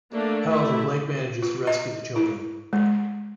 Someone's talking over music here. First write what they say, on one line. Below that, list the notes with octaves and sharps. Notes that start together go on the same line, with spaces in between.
However, Blake manages to rescue the children.
A3 A#3 D4
A3 E4
F4
D#5
E4
G#3